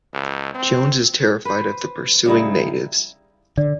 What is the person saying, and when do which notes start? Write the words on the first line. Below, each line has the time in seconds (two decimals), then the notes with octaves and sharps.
Jones is terrified of the pursuing natives.
0.13 C#2
0.54 C4
1.45 B4 C5
2.26 C#3 G3 D#4 E4
3.57 D3 D5